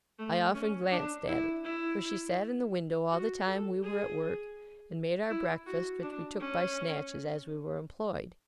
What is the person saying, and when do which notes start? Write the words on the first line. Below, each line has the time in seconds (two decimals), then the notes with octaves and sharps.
I often glanced at it, for she sat in the window all the time we were at work; and made our breakfast, which we took by snatches as we were employed.
0.19 A3
0.54 C#4
0.91 D4
1.28 E4
1.64 E4
3.11 F#4
3.47 A4
3.84 G#4
5.30 E4
5.66 F#4
6.03 D4
6.40 C#4